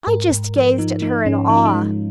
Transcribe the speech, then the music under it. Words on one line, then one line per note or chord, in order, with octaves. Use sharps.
I just gazed at her in awe.
G#2 A#4
G#2
F3
F3 D#4
F3 D#4
G#2 C#4
F3 D#4
F4
D#4
G#3